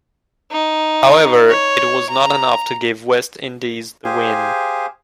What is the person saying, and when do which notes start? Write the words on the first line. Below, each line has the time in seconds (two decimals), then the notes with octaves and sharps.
However, it was not enough to give West Indies the win.
0.51 D#4
1.49 C#5
2.10 A#5
4.05 G4 G#4 C5 F5 G#5